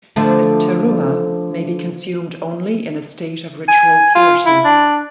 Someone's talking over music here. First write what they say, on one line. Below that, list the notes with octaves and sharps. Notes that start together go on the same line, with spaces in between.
The "terumah" may be consumed only in a state of ritual purity.
D3 F3 A3
G#5
F4
E4
D4